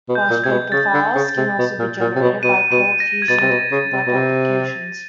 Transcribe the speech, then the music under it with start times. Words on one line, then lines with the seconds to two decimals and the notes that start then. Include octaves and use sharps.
FlashPaper files can be also generated by ColdFusion web applications.
0.09 B2
0.15 G6
0.30 A#2
0.44 C3 G#6
0.51 B2
0.72 C#3 A6
0.94 D3
1.15 C#3
1.37 C3
1.58 B2
1.79 A#2
2.00 A#2
2.16 C3
2.21 B2
2.43 B2 D#7
2.72 B2 D#7
3.00 A#6
3.22 G#6
3.28 B2 A6
3.41 C3
3.50 B2
3.71 C#3
3.92 C3
4.07 B2
4.14 C3